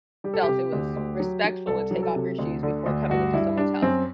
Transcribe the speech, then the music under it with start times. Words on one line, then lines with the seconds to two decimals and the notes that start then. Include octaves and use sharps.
felt it was respectful to take off your shoes before coming into someone's house.
0.24 G3 G4
0.34 A4
0.43 G4
0.49 C3
0.72 D2
0.96 D2
1.20 F#3
1.44 F#3
1.67 C2 A4
1.91 F#3
2.03 A4
2.16 C3
2.39 D2
2.63 D3
2.86 D2
3.10 G2 F#4
3.34 G2 E4
3.57 G3 D4
3.82 F#2 C4